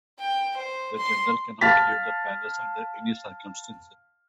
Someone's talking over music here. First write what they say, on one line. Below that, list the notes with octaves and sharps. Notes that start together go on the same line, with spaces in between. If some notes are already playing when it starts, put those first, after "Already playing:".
The general cannot leave the palace under any circumstances.
G5
C5
C6
F5 A5 F6 A6 B6